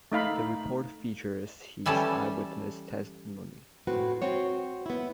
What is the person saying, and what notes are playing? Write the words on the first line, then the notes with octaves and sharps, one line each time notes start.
The report features his eyewitness testimony.
A3 D#4 F5 B5
E3 G3 C#4 A4
A2 C4 F#4 B4
C4 F#4 C#5
B3 E4